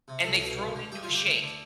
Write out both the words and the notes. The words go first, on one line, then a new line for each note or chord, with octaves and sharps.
and they throw it into a shake.
C3
C2 A4
B2
G2
D3
G2 G4
F4
D3
G4
D2
D3